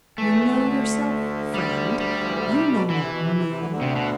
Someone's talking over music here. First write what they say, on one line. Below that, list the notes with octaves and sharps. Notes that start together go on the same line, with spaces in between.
You know yourself, friend; you know not me.
E2 E3 A3
D2 D3
G3
G3
F3
E3
D3
C3
B2
D3 E3
C3
B2
C3
C3
C3
D2 D3
D2 D3
C3
B2